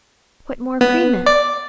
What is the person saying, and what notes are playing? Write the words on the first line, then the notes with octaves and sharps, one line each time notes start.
Put more cream in.
B3
D5